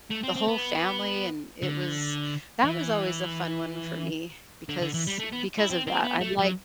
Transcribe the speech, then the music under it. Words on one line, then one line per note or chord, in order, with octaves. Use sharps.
the whole family, and it was that was always a fun one for me because because of that, I'd like
A3
C4
C4
B3
D3
E3
D3
D3
E3
G3
A3
B3
E4
C4
C4
B3
A3
F#3